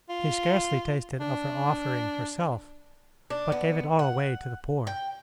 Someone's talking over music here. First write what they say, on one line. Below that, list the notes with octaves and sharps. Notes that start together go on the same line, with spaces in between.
She scarcely tasted of her offering herself, but gave it all away to the poor.
F4
D4
D4
B3
F#5
G5